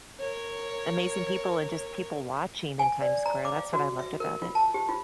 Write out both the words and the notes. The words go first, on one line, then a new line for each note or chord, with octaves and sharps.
amazing people and just people watching in Times Square, that's what I loved about it.
A#4 C#5
G#5
D5
A#5
D6
F5
F#4
E5
A#4
F4
A5
G4
F4